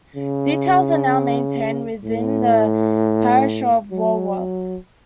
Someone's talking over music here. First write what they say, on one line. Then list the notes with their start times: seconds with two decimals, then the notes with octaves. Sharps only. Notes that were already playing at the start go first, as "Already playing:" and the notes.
Details are now maintained within the parish of Walworth.
0.16 C#3
2.04 A2
3.92 F#3